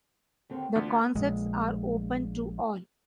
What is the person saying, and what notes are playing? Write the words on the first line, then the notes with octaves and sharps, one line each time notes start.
The concerts are open to all.
D#2 D3 C4
D2 B3 D4 F4
A#1 G#3